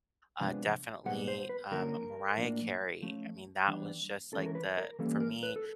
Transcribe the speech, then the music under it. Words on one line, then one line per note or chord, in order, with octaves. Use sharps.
uh, definitely, um, Mariah Carey. I mean, that was just like the for me,
C3 F3 G#3 B3 D4
A#2 G3 B3 F#5
C5
B4
D3 F3 A#3 C#4 A#4
A2 F3 A#3 D4
F3 A3 C#4
E3 G3 B3 D4
E3 G#3 C#4 A4
A#4
B4
A#4
E3 G3 A#3 C#4 A4
A#4
B4
A4